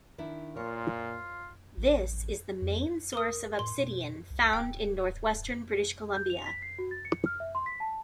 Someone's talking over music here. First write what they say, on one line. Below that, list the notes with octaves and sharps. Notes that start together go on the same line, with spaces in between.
This is the main source of obsidian found in northwestern British Columbia.
D#3 D4 E4
A#2 F4 A#4 C#5
F4
A1
F2
A#4 D#6
A2 C6
B2
C2
D1 G5
G6
F7
B6
C7
F#4
A6
C#7
F6
E5
C6
B6
A5